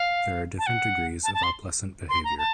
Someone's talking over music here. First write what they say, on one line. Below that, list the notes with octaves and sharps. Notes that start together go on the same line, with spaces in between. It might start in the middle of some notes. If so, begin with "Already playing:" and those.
There are different degrees of opalescent behaviour.
Already playing: F5
A5
F#5
A5
A5
C6
C6
A#5
A5